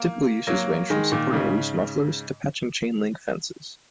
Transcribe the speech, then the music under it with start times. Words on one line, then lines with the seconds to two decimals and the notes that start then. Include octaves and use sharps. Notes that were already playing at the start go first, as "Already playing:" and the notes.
Typical uses range from supporting loose mufflers to patching chain-link fences.
Already playing: A#3
0.47 F#3 A#3
0.90 D#3 G#3
1.12 A#2 D#3
1.33 G#2 C#3